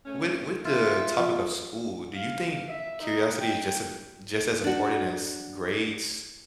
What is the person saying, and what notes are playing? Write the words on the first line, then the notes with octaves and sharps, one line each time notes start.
with with the topic of school, do you think curiosity is just a just as important as grades,
A3 C#4
F4 E5
F3
F5
E5
D#4
G5
D4 F#4